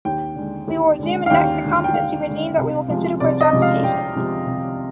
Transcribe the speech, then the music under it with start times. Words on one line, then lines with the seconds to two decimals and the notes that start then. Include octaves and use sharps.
We will examine next the competency regime that we will consider for its application.
0.05 D#2 G5
0.35 D3 G#3
0.67 D#2
0.99 D3 G#3
1.26 F5
1.30 D#2 G5
1.63 D3 G#3
1.84 G5
1.93 D#2 F5
2.26 D3 G#3
2.58 C2
2.88 C3 F3 G#3
3.20 C2 D5
3.41 D#5
3.52 C3 F3 G#3
3.62 F5
3.83 C2 G5
4.14 C3 F3 G#3
4.46 C2